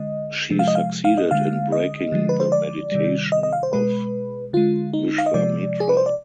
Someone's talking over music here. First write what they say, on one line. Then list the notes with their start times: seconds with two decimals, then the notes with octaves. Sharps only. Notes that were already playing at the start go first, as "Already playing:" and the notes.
She succeeded in breaking the meditation of Vishwamitra.
Already playing: D3 G#3 D#5
0.51 C3 F3 G#3
0.59 F5
0.68 D#5
0.75 F5
1.05 F5
1.17 D#5
1.31 D3 G#3 F5
1.72 D#5
2.12 D3 F3 G#3
2.29 B4
2.40 C5
2.52 D5
2.92 C3 D#3 G3
3.32 D#5
3.43 D#5
3.53 F5
3.63 C5
3.73 B2 G#3 B4
4.53 D3 G#3 F4
4.93 D#4
5.18 F5
5.26 D#5
5.34 C3 F3 G#3 D5
5.80 G#4
5.89 B4
5.97 C5
6.06 D5